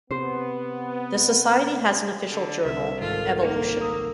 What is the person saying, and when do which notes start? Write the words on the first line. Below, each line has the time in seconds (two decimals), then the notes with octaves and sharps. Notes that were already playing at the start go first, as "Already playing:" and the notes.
The society has an official journal "Evolution".
0.11 C3 B3 C5
2.31 D3
2.65 C2 E5
3.01 G#1 F4 A4 A6
3.40 A#3
3.80 A#5 D#6 E6